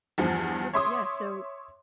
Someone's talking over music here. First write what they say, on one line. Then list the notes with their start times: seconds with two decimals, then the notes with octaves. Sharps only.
Perfect, yeah, so,
0.18 E2 G2 F3
0.73 C#5 E5 C6 D6 D#6